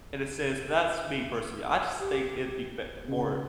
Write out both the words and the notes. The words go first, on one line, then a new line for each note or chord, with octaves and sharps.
in a sense, but that's me personally. I just think it'd be bet more
G4
C#3